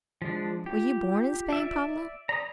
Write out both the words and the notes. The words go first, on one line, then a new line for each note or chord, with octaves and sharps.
"Were you born in Spain, Pablo?"
F3 G#3 D4
F4 G4
D5 E5
D5 A#5 B5 D#6